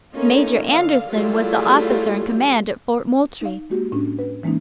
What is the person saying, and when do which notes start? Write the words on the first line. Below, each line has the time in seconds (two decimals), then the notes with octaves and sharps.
Major Anderson was the officer in command at Fort Moultrie.
0.14 A3 A#3 C#4 D#4 F4
0.71 D3 F5
1.10 F#3 G3 A3 E4 F4 G#4
3.41 D#4 F5
3.70 G#3 A#3 F#4 G4
3.92 A2 C#4 D4
4.19 B4
4.43 E3 G#3 A#3 C#4 D#4